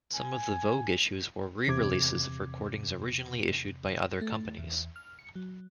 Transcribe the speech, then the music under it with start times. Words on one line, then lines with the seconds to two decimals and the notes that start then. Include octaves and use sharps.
Some of the Vogue issues were re-releases of recordings originally issued by other companies.
0.15 G#5
1.68 E2 C3 D6 G#6
4.21 A3
4.58 E2
4.96 F6
5.19 C#7
5.35 F#3